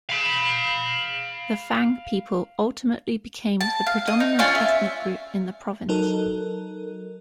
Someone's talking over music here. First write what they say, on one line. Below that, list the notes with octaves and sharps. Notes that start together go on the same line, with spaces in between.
The Fang people ultimately became the predominant ethnic group in the province.
F5 B5
A5
F5
D#5
D#4
C#4 D4 F4 G#5
E5
F#3 D#4 A4 A#4